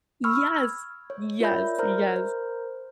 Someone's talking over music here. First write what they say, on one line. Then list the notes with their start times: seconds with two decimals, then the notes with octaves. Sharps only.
Yes, yes, yes.
0.24 B5 C#6 E6 F6
0.55 G#6
1.10 C#5
1.40 F4 A#4 D5 E5 B5 G6
1.78 A#4 C5 A#5 F6 G6